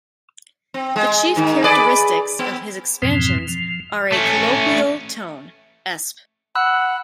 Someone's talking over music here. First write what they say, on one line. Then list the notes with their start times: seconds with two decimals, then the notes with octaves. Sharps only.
The chief characteristics of his expansions are a colloquial tone, esp.
0.74 C4
0.96 G#3
1.36 G#2 D#3
1.64 G#4 B4 D5
2.39 B3
3.02 F2 G#2 B2 E3 F3 C4
3.49 F3
4.12 A3 C#4
6.55 F#5 B5 E6 F#6